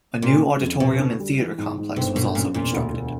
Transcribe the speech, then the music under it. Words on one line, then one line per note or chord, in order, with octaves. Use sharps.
A new auditorium and theater complex was also constructed.
A#2 C#3
C#3
F2
B2 C4
D3
G3
E3
G#2
G#2
G1 C3
G1 B2
F#2 A#2
E1 A#2
D2
E1